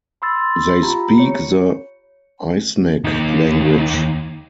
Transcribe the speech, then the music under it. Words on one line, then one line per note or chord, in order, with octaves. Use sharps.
They speak the Isneg language.
B5 C6 E6 A6
F4 G4 A#5 B5
C#5 C#7
D#2 D#4